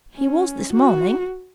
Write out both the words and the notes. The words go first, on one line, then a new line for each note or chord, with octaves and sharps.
'He was this morning.
C#4
F#4